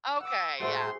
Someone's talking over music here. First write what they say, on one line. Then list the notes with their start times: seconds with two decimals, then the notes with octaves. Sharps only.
Okay, yeah.
0.21 F#5 D6 E6
0.60 A2 G#3 A3 F#4 G#4 C5 E5 C6